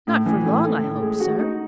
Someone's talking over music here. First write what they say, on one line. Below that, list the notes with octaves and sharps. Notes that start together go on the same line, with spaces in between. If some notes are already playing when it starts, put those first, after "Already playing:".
"Not for long, I hope, sir."
A2
E3
A2
A3
A2
G#3
F#4
D#4